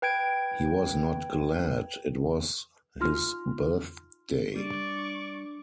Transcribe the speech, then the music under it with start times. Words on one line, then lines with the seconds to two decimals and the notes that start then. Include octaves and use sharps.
He was not glad it was his birthday.
0.02 B4 G5 G#6 D7
3.00 D#4 F4 C6 F6
4.56 G3 D4 D5 C#6 D6